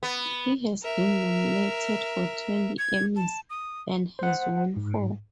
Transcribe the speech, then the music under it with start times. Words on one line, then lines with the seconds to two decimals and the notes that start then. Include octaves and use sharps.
He has been nominated for twenty Emmys and has won four.
0.03 B3
0.82 A#4 E5
2.79 G#6
3.16 A5
3.50 D#6
4.19 C5 F#5
4.77 G#2